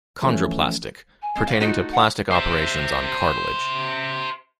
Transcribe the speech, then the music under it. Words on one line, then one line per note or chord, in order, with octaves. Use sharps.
"Chondroplastic" - pertaining to plastic operations on cartilage.
E3 F3 A3 C#4
G#5
G#3 C4
A2 D5 F5
A3 D#4 F4 F#4
F#5
C5 E5